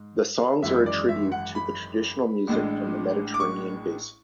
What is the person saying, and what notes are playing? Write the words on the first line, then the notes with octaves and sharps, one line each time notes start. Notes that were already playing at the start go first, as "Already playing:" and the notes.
The songs are a tribute to the traditional music from the Mediterranean basin.
Already playing: G#2
G#1 F#2 E3 G#3 E5
D5
E5
F#5
B5
A1 A2 G#3 D4
D6
C#6